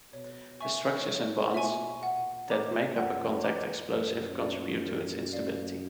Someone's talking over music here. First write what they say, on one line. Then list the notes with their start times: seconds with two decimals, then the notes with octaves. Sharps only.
The structures and bonds that make up a contact explosive contribute to its instability.
0.13 B2 C#5
0.60 E5 G#5 C#6
1.07 C#5
1.54 E5 G#5 C#6
2.02 A#2 F#5
2.50 A2 A#5 D6
2.96 F#2 F#5
3.43 F2 A#5 D6
3.90 F#2 A#4
4.39 D5 F5
4.85 A#4
5.32 D5 F5